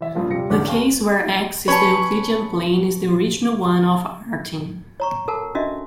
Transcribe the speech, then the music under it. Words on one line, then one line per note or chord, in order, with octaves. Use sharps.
The case where "X" is the Euclidean plane is the original one of Artin.
E3 E5
G2 C#3 F3 A#3 F4
D#1 C3 G3 F4 A#6 C#7
G#1 E2 D3 A#3 C#4 D6
D#2 F5 C#6
C#4 B4 C#5 A5 B5
C#5 A#5 C#6
A4 A#4 F#5 A5
C#4 D4 F#4 D#5 E5